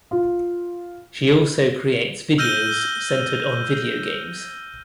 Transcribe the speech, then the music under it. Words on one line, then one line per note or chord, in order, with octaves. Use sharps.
She also creates videos centered on video games.
F4
E6 F6 G6 A#6 D#7 G7